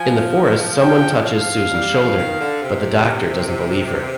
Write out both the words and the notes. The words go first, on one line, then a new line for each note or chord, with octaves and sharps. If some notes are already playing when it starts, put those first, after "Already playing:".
In the forest someone touches Susan's shoulder, but the Doctor doesn't believe her.
Already playing: F3 G#5
G5
F5
G3
F3
D#3
D3
C3